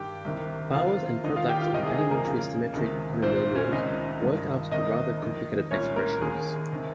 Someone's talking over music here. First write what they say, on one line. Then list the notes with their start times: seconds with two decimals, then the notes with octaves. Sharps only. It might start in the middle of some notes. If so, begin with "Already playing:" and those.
Powers and products of elementary symmetric polynomials work out to rather complicated expressions.
Already playing: G2 D#3 G4 G5
0.25 C2 C3 D#3
0.74 F2 C3 D#3 F4 F5
1.24 D#2 D#3 D#4 D#5
1.36 F4 F5
1.48 G4 G5
1.61 F4 F5
1.74 C2 C3 D#3 D#4 D#5
1.86 G#4
1.98 G#4
2.11 A#3 A#4
2.24 F2 C#3
2.73 C#2 C3 D#3
3.22 C2 A#2 C4 C5
3.55 C#4 C#5
3.72 C#2 C3 D#3 D#4 D#5
4.22 G2 D#3
4.71 C2 C3 D#3 D#4 D#5
5.22 F2 D#3
5.71 C2 A#2 C#4 C#5
5.96 A#3 A#4
6.22 D#2 D#3 G#4
6.73 C3 D#3